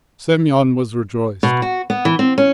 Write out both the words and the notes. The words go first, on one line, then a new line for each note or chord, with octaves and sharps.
Semyon was rejoiced.
B2
F#4
B3
E3
C4
C#4